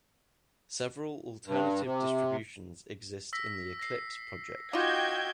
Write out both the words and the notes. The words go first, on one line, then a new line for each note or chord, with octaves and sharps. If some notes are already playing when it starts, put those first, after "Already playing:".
Several alternative distributions exist in the Eclipse project.
G2
C3
E6 A#6 B6
A#6 C7
D#4 F4 F#4 D#5 G5 D6 G6 G#6